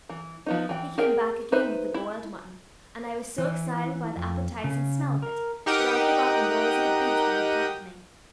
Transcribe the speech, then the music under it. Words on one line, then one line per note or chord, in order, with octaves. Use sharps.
He came back again with the boiled mutton, and I was so excited by the appetising smell of it that I forgot the noise of the beast that had troubled me.
E3
F3 B3 D#4
E3 G5
G#4 A#4 G5
D#4 B4 C5 E5
E4
E3
F2
C#3
A#4
D#4 G4 A#4 F#5 G5 D#6